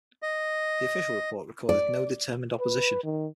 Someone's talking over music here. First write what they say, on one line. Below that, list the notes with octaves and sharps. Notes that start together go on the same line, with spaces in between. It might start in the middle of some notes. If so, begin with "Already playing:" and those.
The official report recorded, "no determined opposition".
D#5
D5
B4
D#3